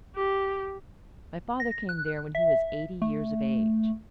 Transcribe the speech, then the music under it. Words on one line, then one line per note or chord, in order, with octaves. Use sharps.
My father came there when he was eighty years of age.
G4
A#6
F#6
E5
A3